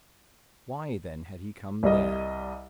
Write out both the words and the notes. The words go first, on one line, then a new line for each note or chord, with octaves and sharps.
Why, then, had he come there?
C2 G3 D#5